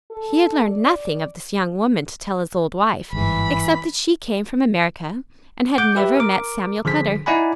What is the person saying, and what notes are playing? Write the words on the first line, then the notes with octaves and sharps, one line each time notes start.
He had learned nothing of this young woman to tell his old wife, except that she came from America, and had never met Samuel Cutter.
A4
D5
G1 G#2 E3 B5
F#5 D6 G6
G4 B4 E5
A#4 D6
D3 F3 G#4 B6
D#4 E4 D5 F#5 G#5 B5